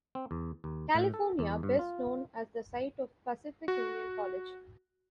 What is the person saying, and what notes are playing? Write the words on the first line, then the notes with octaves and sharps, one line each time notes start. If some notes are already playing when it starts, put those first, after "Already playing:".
California, best known as the site of Pacific Union College.
C4
E2
D#2
A2
A4
E2
G2
F4
F#4